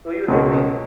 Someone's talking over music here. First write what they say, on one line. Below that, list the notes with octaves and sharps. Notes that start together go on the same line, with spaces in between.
Do you hear me!
C#2 B2 G#3 C#4